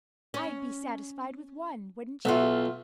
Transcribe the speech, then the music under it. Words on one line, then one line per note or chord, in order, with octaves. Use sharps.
I'd be satisfied with one, wouldn't you?
C#4
B1 F4 F#4 E5